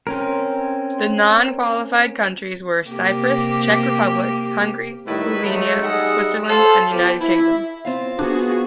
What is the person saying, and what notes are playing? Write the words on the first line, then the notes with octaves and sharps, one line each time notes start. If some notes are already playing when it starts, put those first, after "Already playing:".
The non-qualified countries were Cyprus, Czech Republic, Hungary, Slovenia, Switzerland and United Kingdom.
C4 C#4 A#4
C3 A#3 G4
A2 D#3 G3 D#4 E4 B4
F#3 G#3 A3
G3 D#4 G#4 D#5 E5 F#5
A4 C5 F5
F3 B3 G4
E4
C4 F4 F5
B3 D4 F#4 G#4